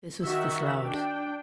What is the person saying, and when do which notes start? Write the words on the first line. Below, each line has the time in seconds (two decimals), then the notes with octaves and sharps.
This was disallowed.
0.24 D#3 F#4 E5
0.85 D4 G5